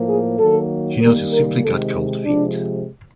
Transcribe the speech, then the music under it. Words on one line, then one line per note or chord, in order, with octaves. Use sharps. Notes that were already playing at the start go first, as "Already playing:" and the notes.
She knows you simply got cold feet.
Already playing: A2 F3 A#3
G#4
D#3 F#3 A#3 A4
D#3 G3 A#3 A#4
A#4
C3 D#3 G#3 A4
C3 F3 G#3 D4